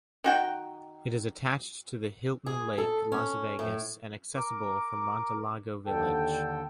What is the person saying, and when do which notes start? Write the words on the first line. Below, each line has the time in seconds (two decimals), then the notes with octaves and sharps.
It is attached to the Hilton Lake Las Vegas and accessible from MonteLago Village.
0.24 D#3 F#4 G5
2.46 G#4
2.78 A4
3.12 C#4
3.59 A2
4.37 A#4 D6
5.86 D#2 D3 A4 G5